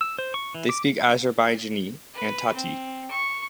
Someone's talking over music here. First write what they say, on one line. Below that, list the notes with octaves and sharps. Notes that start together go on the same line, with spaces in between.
They speak Azerbaijani and Tati.
E6
C5
C#6
E3
D6
B4
C4
C#6